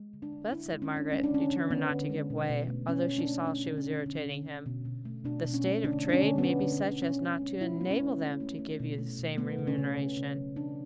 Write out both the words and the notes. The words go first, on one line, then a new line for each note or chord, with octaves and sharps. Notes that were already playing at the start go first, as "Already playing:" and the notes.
'But said Margaret, determined not to give way, although she saw she was irritating him, 'the state of trade may be such as not to enable them to give you the same remuneration.
Already playing: G#3
D3
D4
D3
G#3 E4
D4
G#3
C#4
G#3 D4
G#3 C#4
D4
D3 C#4
D3
D3 B3
D3
G#3
B2
B2
A3
A3 C#4
A3
D4
A3
A3 C#4
D3
C#4
D3
D3
D3
D3
B2
B2
A3
B2 D4
B2
C#4
A3
D3 D4
A3
D4
C#4
D3
B3
A3 C#4
D3
B3
D3
B2 C#4
G#3
G#3
B2 E4
G#3 B3
C#4
G#3
A3
A3
A3
B2
A3
B2
A3 B3
C#3
C#4
C#3
C#3
C#3
F#3
E3 D4